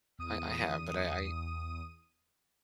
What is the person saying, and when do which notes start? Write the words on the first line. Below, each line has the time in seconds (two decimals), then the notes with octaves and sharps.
I I have, but I
0.19 E2 D#6 D#7